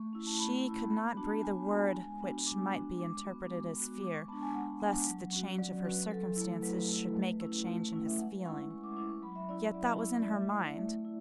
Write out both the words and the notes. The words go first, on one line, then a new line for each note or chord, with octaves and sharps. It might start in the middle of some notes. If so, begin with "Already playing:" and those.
She could not breathe a word which might be interpreted as fear lest the change of her circumstances should make a change in his feeling. Yet that was in her mind.
Already playing: A3 C#6
C#4 E4
A5
A3 B5
C#4 E4
B3 B5
D4 F#4 A5
B3 G#5
D4 F#4
G#3 G#5
B3 D4 F#4
G#3 D6
B3 D4 F#4
G#3 D6
B3 F#4
G#3
B3 F#4
G#3 D6
C#6
B3 D4 A5
G#5
G#3 F#5
B3 D4
F#3
C#4 F#4
F#3 D5
C#4 F#4 B4
F#3 A4
A3 E4
F#3 B4
A3 E4
A3
C#4 E4
A3
C#4 E4
E5
G#3 F#5
C#4 E4 C#6
G#3 C#6
D6
C#4 E4 D6
C#6
F#3 B5
E5
C#4 E4 D5
E5
F#3 D5
C#4 E4
D5
A3 E5
E4
A3
E4